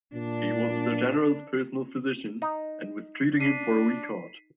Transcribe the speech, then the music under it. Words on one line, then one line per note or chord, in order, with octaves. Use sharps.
He was the General's personal physician, and was treating him for a weak heart.
A#2 D4
D#4
D4 B6 C7 D#7